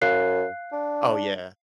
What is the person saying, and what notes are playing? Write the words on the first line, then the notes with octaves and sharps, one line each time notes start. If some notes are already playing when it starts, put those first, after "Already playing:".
Oh, yeah.
F#2 F5 F#6 C7
D4